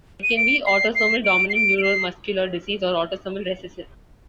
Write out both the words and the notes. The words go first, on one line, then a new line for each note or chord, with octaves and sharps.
It can be autosomal dominant neuromuscular disease or autosomal recessive.
D#7
D7
C7
C7
D7
C7
D7
D7
C7